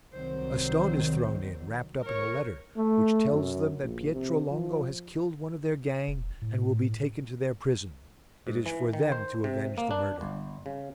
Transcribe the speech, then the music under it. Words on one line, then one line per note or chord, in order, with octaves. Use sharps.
A stone is thrown in, wrapped up in a letter, which tells them that Pietro Longo has killed one of their gang and will be taken to their prison; it is for them to avenge the murder.
C2 D#3 F#3 C4 C5
A#4 C#5
A3
F#2
A#1
C3
F3
E1
A2
G#2
E3
D#3
C5
C3
A#3
D4
G1
C#3